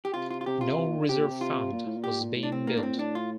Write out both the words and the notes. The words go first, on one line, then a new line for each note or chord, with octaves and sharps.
No "Reserve Fund" was being built.
G4
C3 F4
F4
F4
C3 G4
F4
C3
A#2
D3
C3 G4
A#2
C3
F4
A#2
A2
A#2
G4
A2
D4
C4
A#3
D4
C4
A#2
A2 D4
F4